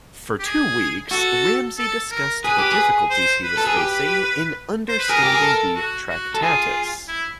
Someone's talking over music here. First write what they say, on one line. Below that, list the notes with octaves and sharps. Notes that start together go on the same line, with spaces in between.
For two weeks Ramsey discussed the difficulties he was facing in understanding the "Tractatus".
G4
G#4
F#4 A4
A4
A#4
G#4 B4
G4
G#4
C5
B4
A4
G#4
G4
C5
B4
G#4 A#4
G4
G#4
A4
F#4
F#4
A4
F4 G#4
E4